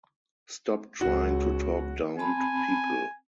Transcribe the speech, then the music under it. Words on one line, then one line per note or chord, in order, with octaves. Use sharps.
Stop trying to talk down to people.
C#2 F#4
C4 G#5 A5 B5